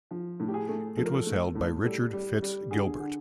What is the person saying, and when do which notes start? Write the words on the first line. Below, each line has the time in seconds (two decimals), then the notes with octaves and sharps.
It was held by Richard Fitz Gilbert.
0.11 F3
0.40 A2
0.48 G4
0.54 G#4
0.68 A3
0.97 F3 A4
1.05 A#4
1.14 A4
1.26 A3
1.55 A2
1.84 G3 A4
2.13 G3
2.42 G3
2.71 D3 G#4
3.00 D3